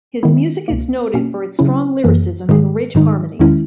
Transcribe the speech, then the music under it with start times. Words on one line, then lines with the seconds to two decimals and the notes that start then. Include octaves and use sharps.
His music is noted for its strong lyricism and rich harmonies.
0.23 D#3 G#3 B3 E4
0.68 C#2 B2 A#3
1.14 B2 A#3 C#4
1.59 C#3 F#3 C#4 E4
2.04 F#2 E3 A#3
2.49 G#2 D#3 G#3 D#4 G#4
2.95 G#2 D#3 G#3 D#4
3.39 E2 D#3 G#3 C#4 E4